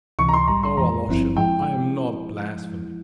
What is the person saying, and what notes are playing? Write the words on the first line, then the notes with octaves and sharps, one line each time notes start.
Oh, Alyosha, I am not blaspheming!
C#2 C3 E3 C#6
A#5
C6
A#1 G#2 G3 A#5
C6
F2 E3 G#3 A#5
G1 G2 F3 C4 E4
G#2 F3 G#3 E4 G5